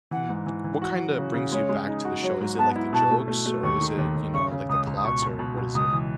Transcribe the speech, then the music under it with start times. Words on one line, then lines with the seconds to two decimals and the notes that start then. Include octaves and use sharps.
m w what kinda brings you back to the show? Is it like the jokes or is it, you know, like the plots or what is it?
0.11 E3 F#5
0.29 G#2
0.46 E3
0.64 E3
0.82 F#4
0.99 F#3
1.17 C#3
1.34 C#3
1.52 G#3 C#5
1.69 G#3
1.87 D#4
2.05 F#4
2.22 F#3 C#5
2.41 G#2
2.58 B3 A5
2.76 E4
2.93 B2 A5
3.11 A3
3.28 A3
3.46 A3
3.63 D#2 C#6
3.81 D#3
3.98 D#2
4.16 D#2
4.33 C#3 C#6
4.52 C#3
4.69 C#2 D#6
4.87 C#2
4.96 D#6
5.04 B2 C#6
5.22 B2
5.39 B2
5.57 B2
5.75 C#2 D#6
5.93 E3